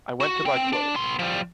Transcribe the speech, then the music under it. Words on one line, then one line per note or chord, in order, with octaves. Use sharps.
I went to buy clothes.
F#4
C4 G5
D4
B3 C6
F3 G3